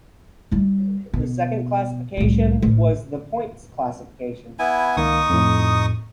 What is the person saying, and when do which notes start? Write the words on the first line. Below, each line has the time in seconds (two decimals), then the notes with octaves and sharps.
The second classification was the points classification.
0.51 G3 E4
1.14 B2
2.17 C2 A2
2.62 A1
4.59 B3 E4 G#5
4.97 C#2 D#3 A#3 D#4 C#6 D#6
5.30 F2 A2